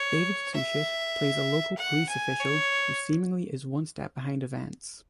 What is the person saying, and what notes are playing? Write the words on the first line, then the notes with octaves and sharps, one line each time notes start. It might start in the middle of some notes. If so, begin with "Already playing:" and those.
David Suchet plays a local police official who seemingly is one step behind events.
Already playing: C#5
E5
F#5
G#5
C#5